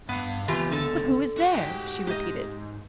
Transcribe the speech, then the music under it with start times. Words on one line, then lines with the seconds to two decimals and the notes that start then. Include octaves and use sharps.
"But who is there?" she repeated.
0.09 G2 B3 F5
0.48 C#2 B2 E3 F4 G4
0.71 D3 A4
1.38 F#4 G4
1.54 G#2
2.07 G#2 G4 D#5